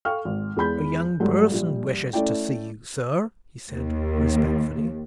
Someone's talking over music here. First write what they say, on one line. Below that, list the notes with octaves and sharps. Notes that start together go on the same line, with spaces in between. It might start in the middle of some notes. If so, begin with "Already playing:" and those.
"A young person wishes to see you, sir," he said, respectfully.
A4 F5 G5 C#6 F6
G#1
E2 G#3 B5 G6
G#2 F#3 G3 A3
A#1 G3
A3 C#4 E4 D5 G5
D#2